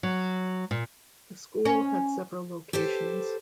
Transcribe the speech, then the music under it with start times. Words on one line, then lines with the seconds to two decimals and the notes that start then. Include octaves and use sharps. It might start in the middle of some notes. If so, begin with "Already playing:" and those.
The school had several locations.
0.03 F#3
0.71 A#2
1.65 C#4
2.73 G4 A4 B4 C5